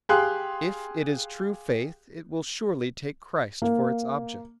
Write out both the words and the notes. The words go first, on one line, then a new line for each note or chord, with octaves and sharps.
If it is true faith it will surely take Christ for its object.
G4 G#4 F5 G5 C6 F#6
A#3